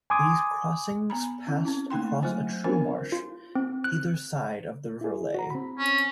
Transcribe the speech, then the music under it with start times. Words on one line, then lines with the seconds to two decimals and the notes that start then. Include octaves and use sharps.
These crossings passed across a true marsh, either side of the River Lea.
0.10 G#5 C6 D6 D#6 G#6
1.10 B3 A#5 B5
1.47 C#4 E4
1.65 C4 C#4 E4
1.90 A3 A#3 D#4 G5 C6
2.23 F#3 A3 F4 C5 G#5
2.64 B3 C4 D4 F4 A#4 C5
3.12 F4
3.55 C4
3.84 F#6
5.01 E4 G#4
5.34 F#4 A#5
5.50 C4 B5
5.79 C#4